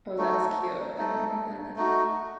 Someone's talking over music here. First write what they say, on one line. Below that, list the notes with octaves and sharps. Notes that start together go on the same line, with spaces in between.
Oh, that's cute. I never heard that.
A3 D#4 F#4 A4
A3 D#4 A4
A3 D#4 F#4